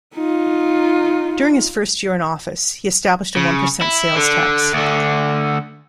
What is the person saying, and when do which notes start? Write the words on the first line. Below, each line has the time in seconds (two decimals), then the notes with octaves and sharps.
During his first year in office, he established a one-percent sales tax.
0.15 D#4 F4
3.36 C#3
3.81 E4
4.16 D3
4.73 D2 D3